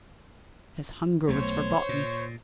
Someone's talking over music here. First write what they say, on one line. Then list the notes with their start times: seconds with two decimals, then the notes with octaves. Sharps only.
His hunger was forgotten.
1.29 B1 A3 C5 C#5
1.89 A#2